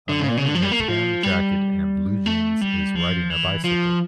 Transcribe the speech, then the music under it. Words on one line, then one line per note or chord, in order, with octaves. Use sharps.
A man in a tan jacket and blue jeans is riding a bicycle.
D3
C#3
A#2
C#3
D3
F3
G3
A#3
A3
F3
G3
A3
G3
F3
E3
F3